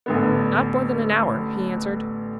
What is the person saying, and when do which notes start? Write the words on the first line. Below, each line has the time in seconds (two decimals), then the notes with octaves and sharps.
"Not more than an hour," he answered.
0.06 A1 D3 B3